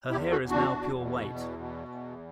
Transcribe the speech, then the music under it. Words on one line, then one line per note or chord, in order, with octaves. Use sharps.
Her hair is now pure white.
E2 E4 G4
F#4 A4
E2
D4 F#4
E2
B2
E2
B2
E2